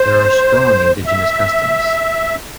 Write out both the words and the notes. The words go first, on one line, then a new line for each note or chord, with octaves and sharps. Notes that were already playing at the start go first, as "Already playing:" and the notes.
There are strong indigenous customs.
Already playing: C5
E5